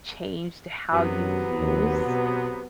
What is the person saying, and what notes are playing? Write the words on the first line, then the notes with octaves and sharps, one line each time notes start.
changed how you use,
F#2 C3 F#3 B3
D#2
B2